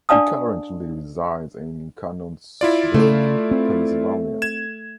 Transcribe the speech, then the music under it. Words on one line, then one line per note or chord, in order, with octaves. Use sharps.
He currently resides in Canonsburg, Pennsylvania.
D4 D5 F5 A5 D#6
E4 F4 D5
C#3 A3
C4
G#6 E7